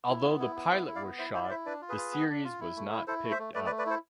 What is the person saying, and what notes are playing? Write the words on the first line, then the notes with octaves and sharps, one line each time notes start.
Although the pilot was shot, the series was not picked up.
E4
B3
E4
B3
E4 C5 E5
E4
D5 F5
B3
E4 C5 E5
E4 A4 C5
D5
E4 C5 E5
D4 B4 D5
F4
G#4 B4
F4
B3
D4
F4
E4
A3
E4
E4 A4 C5
A3
C5 E5
A3
A3 B4 D5
B4 D5
A3
B4 D5
E4 A4 C5